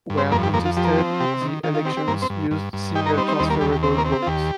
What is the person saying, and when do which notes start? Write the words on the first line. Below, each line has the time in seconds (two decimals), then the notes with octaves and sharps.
Where contested, the elections used single transferable vote.
0.10 G2
0.18 C4 C5
0.32 F2 A#3 A#4
0.43 G4
0.54 F2 A#3 A#4
0.66 F4
0.77 F3 G4
0.84 A#4
0.93 G4
0.98 C4
1.20 C3 G4
1.42 D#3
1.63 D#3 F4
1.75 F4
1.85 C4 G4
1.97 G4
2.08 G2 A#3 A#4
2.22 C4 C5
2.30 G2
2.51 G2
2.73 G2
2.95 D#4 G4 G5
3.06 A#4 A#5
3.17 G3 C4 C5
3.28 C4 C5
3.39 D#2 C4 C5
3.50 A#3 A#4
3.61 D#2 G4
3.72 G4
3.83 C4 C5
3.97 A#3 A#4
4.05 C4
4.12 G4
4.22 F4
4.27 D#2 G4